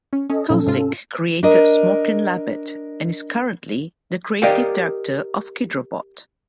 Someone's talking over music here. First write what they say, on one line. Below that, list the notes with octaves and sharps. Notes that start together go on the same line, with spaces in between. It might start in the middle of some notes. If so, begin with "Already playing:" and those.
Kozik created Smorkin' Labbit and is currently the Creative Director of Kidrobot.
C#4
C#4 A4 D#5
A#2 F3 F#3 C#4 A4
G#2 C3 F4
D4 A#4 D#5
G4 A#4 D5 D#5 F5 G5